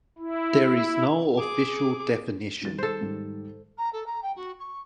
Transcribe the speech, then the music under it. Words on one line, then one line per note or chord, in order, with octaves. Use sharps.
There is no official definition.
E4
G#4 D6
D#3 G3 A6
A4 C5
G#2 D#3 G3
A#5
A4
A#5
G5
F#4
C#6